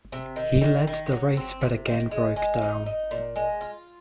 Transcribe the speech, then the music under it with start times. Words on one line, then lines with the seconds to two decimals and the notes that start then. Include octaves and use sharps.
He led the race but again broke down.
0.12 C3
0.36 D#3
0.61 D#3
0.87 D#3
1.12 F#3
1.37 C4
1.61 C3
1.87 D#3
2.11 G#3
2.36 G#3
2.62 D#4
2.86 D#4
3.11 A#2
3.36 G#3
3.61 F4